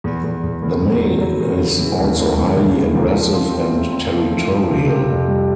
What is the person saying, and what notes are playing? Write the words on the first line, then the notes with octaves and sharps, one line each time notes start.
The male is also highly aggressive and territorial.
E2
E2
E2
E2
E2
F#3
F#3
E2
C#3
E3
D#2
G#3
E3
D#2
E3
D#2
F3
C4
C4
A3
C4
F3
A3
F3
C3
C3
F2
G3